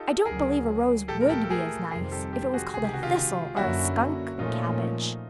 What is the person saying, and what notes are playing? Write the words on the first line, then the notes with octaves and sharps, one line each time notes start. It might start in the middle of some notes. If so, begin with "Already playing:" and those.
I don't believe a rose WOULD be as nice if it was called a thistle or a skunk cabbage.
Already playing: D#4 F4 G4 A4
D2 C#3 F#3 G#4 A#4
A#2 F3 A3 G4 A4
A#4
G4 A4
A4
G#4 A#4
F2 C3 D#3 G3 C4 G#4 A#4
G4 A4
G4 A4
F#4 G#4
C#2 C3 D#3 G#4
G4
F#4
F4 G4
F#2 D3 F#3 A#3 C#4 E4 F#4
A#2 F3 A3 C#4 D#4 F4